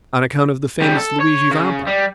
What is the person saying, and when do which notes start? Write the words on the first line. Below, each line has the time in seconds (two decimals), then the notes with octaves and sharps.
"On account of the famous Luigi Vampa."
0.82 C#3 G3
0.98 A4
1.21 C#5
1.51 C#3
1.87 G3